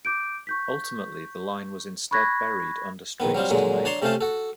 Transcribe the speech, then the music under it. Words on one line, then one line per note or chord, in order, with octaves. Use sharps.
Ultimately the line was instead buried under streets to Maynard.
D6 G6 D7
C#6 G6 B6
B5 C#6 F#6 G#6 A#6 B6
A#1 D#3 B3
F#3 G3 C4 F4
A#2 D3 F#3 G#3
D4 C#5 A5 A#5 C6 C#6
C3 A3 C#4 F4 C5 A5
F#4 A4